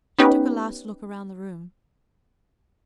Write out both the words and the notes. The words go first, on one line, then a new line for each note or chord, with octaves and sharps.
She took a last look round the room.
B3 C#4 D#4 G4 B4